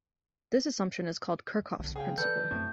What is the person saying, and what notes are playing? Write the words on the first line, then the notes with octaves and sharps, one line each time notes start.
This assumption is called Kerckhoffs's principle.
B1 D3
C#3 G#4 F5 G5
E3 A4 B4 D5 G6
F#2 A2 C4